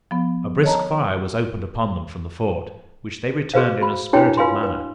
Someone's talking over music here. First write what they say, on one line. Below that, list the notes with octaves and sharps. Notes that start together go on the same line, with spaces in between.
A brisk fire was opened upon them from the fort, which they returned in a spirited manner.
F3 B3
C#5 D#5 A5 A#5
F#4 G#4 B4 C5 F5
F#4 B5
D4 E4 F#4 G#4 C#5 G5
F4 B4 F5 G#5 C6
B4